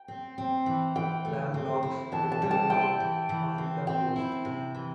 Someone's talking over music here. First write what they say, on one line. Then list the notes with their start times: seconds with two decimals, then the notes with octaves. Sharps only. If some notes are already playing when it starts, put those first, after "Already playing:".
Lam blogs regularly on Huffington Post.
Already playing: G5
0.08 C4
0.38 C4
0.66 E3
0.96 E3 G5
1.25 A3
1.54 C4
1.83 E4
2.12 E3 A5
2.32 A5
2.42 G3
2.51 A5
2.70 E4 G5
3.00 E3
3.29 E3
3.58 C4
3.87 C4 G5
4.16 E4
4.45 C3
4.75 E3